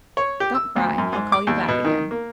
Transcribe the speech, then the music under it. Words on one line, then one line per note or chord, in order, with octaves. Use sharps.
"Don't cry, I'll call you back again."
C#5
G4
E6
D2
F#2
G#2
D6
D#2
B2
D#3
A#3